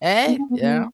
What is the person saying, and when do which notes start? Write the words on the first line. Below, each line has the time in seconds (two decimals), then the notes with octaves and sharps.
Hey, yeah.
0.27 B3
0.37 C#4
0.49 B3
0.60 A#3